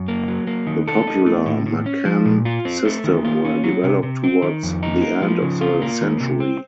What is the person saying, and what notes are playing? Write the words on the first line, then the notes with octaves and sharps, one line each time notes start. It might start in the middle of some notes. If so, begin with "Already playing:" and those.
The popular Maccann system were developed towards the end of the century.
Already playing: F#2
A#3
F#3
A#3
D#3
A4
D#4
A3
A2
A2
C#4
F3
A#2
F4
C4
A3
D#3
F4
C#4
F#3
C3
C3
C4
D#3
F2
D#4
A#3
F3
C#3
F4
A#3
D#3
C3
C4